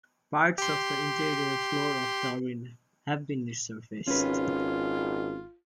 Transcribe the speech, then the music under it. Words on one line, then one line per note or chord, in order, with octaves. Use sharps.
Parts of the interior floor of Darwin have been resurfaced.
G4 C6
G#1 C#4 F4 B4